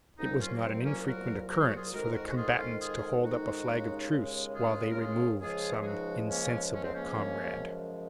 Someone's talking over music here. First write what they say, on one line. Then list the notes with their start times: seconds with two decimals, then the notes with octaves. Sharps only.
It was not an infrequent occurrence for the combatants to hold up a flag of truce while they removed some insensible comrade.
0.19 C2 A#2 F#3 C4 D#4
0.40 C#4 F4
0.52 A#3
0.62 C4
0.84 A#3 C#4
1.06 F#4 A#4
1.50 A#4
1.58 G#4
1.67 F#4
1.75 F4 G#4
1.93 F2 D#3 G#3 F#4 A#4
2.15 F#4 A#4
2.27 F#4
2.36 F4 G#4
2.58 C#4 F4
2.80 F4 G#4
3.24 D#4 F#4
3.67 D#2 C#3 G#3
4.54 F4 G#4
4.89 A#4
4.98 F4 G#4
5.41 C#2 C#3 F3 G#3 F4 G#4
5.80 G#4
5.85 D#4 F#4
6.28 A#3 C#4
6.72 C#4
6.82 C4
6.94 A#3 C#4
7.15 F#2 C#3 F3 G#3